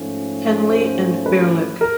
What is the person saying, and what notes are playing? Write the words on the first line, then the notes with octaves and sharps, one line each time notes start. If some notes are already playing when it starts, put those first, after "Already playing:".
Henley, and Birlec.
Already playing: G#2 F3 A3 C#4
C5
B4
A#4